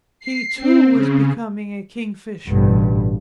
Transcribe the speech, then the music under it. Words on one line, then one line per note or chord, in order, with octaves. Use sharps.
He too was becoming a Kingfisher.
C7
C4
C#3
A1 G2 B2